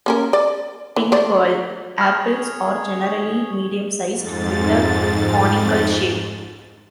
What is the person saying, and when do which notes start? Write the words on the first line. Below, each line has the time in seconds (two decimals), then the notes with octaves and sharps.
'Pink Pearl' apples are generally medium-sized, with a conical shape.
0.06 A#3 C#4 A#4
0.33 D5
0.96 E3
1.12 A3 C5 D5
2.01 G#4 C#5 F6
4.15 F2 G#2 A6